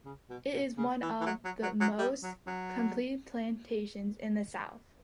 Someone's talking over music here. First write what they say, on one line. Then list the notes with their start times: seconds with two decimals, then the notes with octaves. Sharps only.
It is one of the most complete plantations in the South.
0.06 C#3
0.30 B2
0.53 B2
0.78 C#3
1.02 E3
1.21 E3
1.26 F#3
1.45 F#3
1.63 F#3
1.81 F#3
1.99 G3
2.23 F#3
2.47 F#3